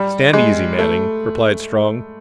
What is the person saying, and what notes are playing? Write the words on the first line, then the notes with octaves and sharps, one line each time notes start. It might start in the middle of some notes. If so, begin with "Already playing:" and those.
"Stand easy, Manning," replied Strong.
Already playing: G3
G#3
A3